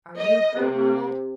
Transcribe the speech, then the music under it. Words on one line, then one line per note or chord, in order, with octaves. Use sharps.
Are you hurt, Ronald?
D#5
C3